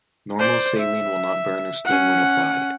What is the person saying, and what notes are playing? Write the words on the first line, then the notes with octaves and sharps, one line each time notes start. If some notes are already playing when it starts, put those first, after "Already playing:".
Normal saline will not burn or sting when applied.
C5 D5
E5
C#4 F#5